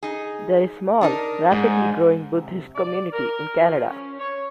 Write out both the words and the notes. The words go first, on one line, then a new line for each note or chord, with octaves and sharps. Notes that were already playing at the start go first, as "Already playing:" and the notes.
There is a small, rapidly growing Buddhist community in Canada.
D#4 G#4
D4 D#4 A#4
G#2
C3
D5
A#4
F3
C#4
C#5